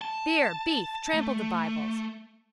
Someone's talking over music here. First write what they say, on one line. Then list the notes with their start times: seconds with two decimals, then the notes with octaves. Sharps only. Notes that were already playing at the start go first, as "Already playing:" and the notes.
Beer, beef, trample the bibles.
0.01 A5
1.14 A3